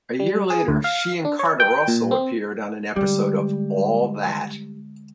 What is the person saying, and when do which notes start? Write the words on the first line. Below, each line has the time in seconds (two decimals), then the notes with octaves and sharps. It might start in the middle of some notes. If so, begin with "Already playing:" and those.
A year later, she and Carter also appeared on an episode of "All That".
0.20 G3
0.50 G#4
0.68 D2
0.84 F5
1.25 D4
1.39 C#5
1.60 G5
1.88 A#2
2.11 C4
2.96 D3 G3 G#3